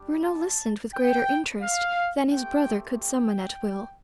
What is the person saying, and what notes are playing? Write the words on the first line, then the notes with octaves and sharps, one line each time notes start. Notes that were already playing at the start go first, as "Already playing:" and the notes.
Bruno listened with greater interest than his brother could summon at will.
Already playing: G3 D4 G4
A5
G5
F5
A3 C4 G4 G5
G5